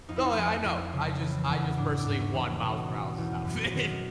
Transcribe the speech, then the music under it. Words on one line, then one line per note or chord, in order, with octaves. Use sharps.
No, I I know. I just I just personally want Miles Morales' outfit.
F2 D#4
E4
D#4
F2
F2
C#3
E3
E2
G#2 D4
D4
G#2
C#4
E3
C#4
B2 D#4
B2
E2
F#2
D#3